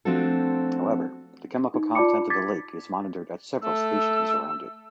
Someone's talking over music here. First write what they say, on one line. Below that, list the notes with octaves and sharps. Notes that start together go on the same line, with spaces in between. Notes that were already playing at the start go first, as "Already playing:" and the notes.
However, the chemical content of the lake is monitored at several stations around it.
F3 A3 C4 D4 F#4 A4
D#4
F4 D5 A5 B5 D6 C#7
D6 G#6 A6 B6
A3 E6